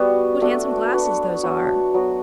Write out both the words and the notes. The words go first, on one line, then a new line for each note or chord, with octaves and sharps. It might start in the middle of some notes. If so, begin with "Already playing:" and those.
What handsome glasses those are!
Already playing: G3 B3 F#4 B4
A3 D4 F#4
D4 F#4 B4
F#3 B3 D4 F#4
F#3 B3 F#4